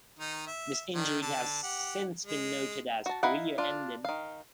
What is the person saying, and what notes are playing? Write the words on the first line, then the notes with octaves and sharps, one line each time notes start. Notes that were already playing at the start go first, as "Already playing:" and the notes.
This injury has since been noted as career ending.
D#3 D#4
E5
D#3 D4
D3 A5
G4 F#5
G#3
F#4 A5
D#4 E4 F5 F#5
D4 F4
D#3 F5